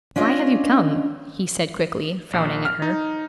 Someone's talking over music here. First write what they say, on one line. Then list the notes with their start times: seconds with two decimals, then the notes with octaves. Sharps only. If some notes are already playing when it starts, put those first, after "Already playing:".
'Why have you come?' he said quickly, frowning at her.
0.16 C#4 D4 F4 D#5
2.33 A#1
2.65 F6
2.82 D#4